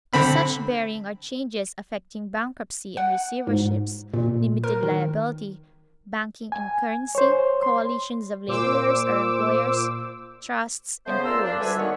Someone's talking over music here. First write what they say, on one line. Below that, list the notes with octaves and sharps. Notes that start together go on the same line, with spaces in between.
Of such bearing are changes affecting bankruptcy and receiverships, limited liability, banking and currency, coalitions of laborers or employers, trusts and pools.
D3 C4 B5
F#5
G#2
A#2
A#4
D#3
G#5
C5 C#5
C6
A#2 C5 D6 E6
C#3 A3 B3 C5
F4 A#4 D5 A#5 C6 E6
D4
D2 D3 G3 B4 E5 G#5
D#3 B3 C#5